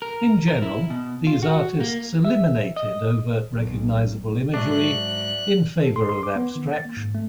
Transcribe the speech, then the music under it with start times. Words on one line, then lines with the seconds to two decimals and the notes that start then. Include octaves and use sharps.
In general these artists eliminated overt recognizable imagery in favor of abstraction.
0.02 A#4
0.48 A#4
0.62 E4
0.90 B2
1.27 F4
1.43 F#4
1.80 A#3
2.25 E5
2.76 D#5
3.53 B1
4.54 G#2 F#3 D4 D5 E5 F#6
5.84 A4
5.96 C6
6.09 C6
6.23 D6
6.36 B3
6.56 D#3
6.73 A6
6.85 A#3
6.97 G#2
7.15 A3